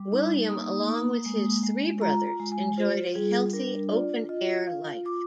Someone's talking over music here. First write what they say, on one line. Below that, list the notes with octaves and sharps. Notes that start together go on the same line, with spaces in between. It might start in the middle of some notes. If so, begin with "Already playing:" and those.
William along with his three brothers enjoyed a healthy open-air life.
Already playing: G3 D6
D#4
A#3 D#6
A#3
G#3
G#3
F4 A#5
A#5
G#3
G#5
F4 C5
G3 G#4
D4 A#4
F4 D5
F4 D#5
F4 F5
F4 D6